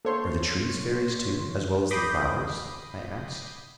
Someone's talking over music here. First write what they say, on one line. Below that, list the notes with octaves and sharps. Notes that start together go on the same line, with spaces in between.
"Are the trees fairies too, as well as the flowers?" I asked.
A#3 A4 C5 C#5 C6
B5 D6 D#6 G6 A#6 C7